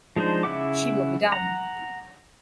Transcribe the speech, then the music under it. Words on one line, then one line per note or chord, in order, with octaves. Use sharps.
She'll be down.
F3 G#3 D4 D#4 C5
C#3 E4 E5 F#5 D6
F#5 A#5